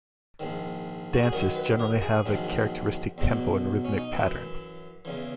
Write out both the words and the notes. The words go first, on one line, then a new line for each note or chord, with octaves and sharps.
Dances generally have a characteristic tempo and rhythmic pattern.
A#1 G#2 D#3
F#4
G#4
F#2 D#3 F#3 A#4
B4
A#4
G#4
A#1 G#2 D#3 F#3
E2 B2 F#3
C#4
D#4
F#2 E3 E4
E2 C#3 E3